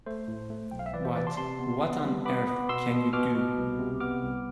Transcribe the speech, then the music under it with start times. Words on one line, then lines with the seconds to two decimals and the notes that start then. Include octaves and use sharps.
But what on earth can you do?
0.06 A3 C5
0.28 A2
0.50 A3
0.71 B1 G5
0.79 F5
0.86 E5
0.93 E3 B4 D5
1.05 C5 E5
1.15 C3 B4 D5
1.27 A5 C6
1.37 C3 A5 C6
1.59 B3
1.82 B3
2.03 G3
2.25 B3 B5 D6
2.47 B3
2.69 B2 C6 E6
2.91 B2
3.13 B2 D6 F6
3.35 B2
3.57 C2
3.79 C3
4.00 B3 D6 F6
4.22 C2